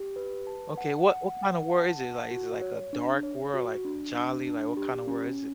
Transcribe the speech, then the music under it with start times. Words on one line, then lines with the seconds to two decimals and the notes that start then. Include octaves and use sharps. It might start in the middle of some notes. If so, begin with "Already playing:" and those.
Okay, what what kinda world is it like, is it, like, a dark world, like, jolly, like, what kinda world is it?
Already playing: G4
0.16 B4
0.47 A5
0.78 F#5
1.08 F#5
1.39 F#5
1.70 A5
2.01 F#5
2.31 F#4
2.62 C#5
2.93 D4
3.23 C#5
3.54 F#4
3.85 D4
4.15 D4
4.47 D4
4.77 G4
5.07 C#4